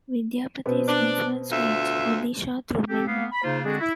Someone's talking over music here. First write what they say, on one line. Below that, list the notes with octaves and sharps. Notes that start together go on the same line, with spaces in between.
Vidyapati's influence reached Odisha through Bengal.
B2 B3 C4
D4
D2 F4 E5
C4 G4 A4
A#3 B3 F5
B5
C#3 A#3 D#4 F4 C5
D3 G#3 C4 D4 F#4 G#4
E4